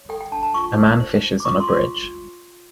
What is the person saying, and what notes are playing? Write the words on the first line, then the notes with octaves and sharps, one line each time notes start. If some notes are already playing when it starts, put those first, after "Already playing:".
A man fishes on a bridge.
Already playing: C#5
A4 G5
G5
D4 A5
A5
F4 C#6
C5
C5
C5
D6
F4 C#6
C6
F4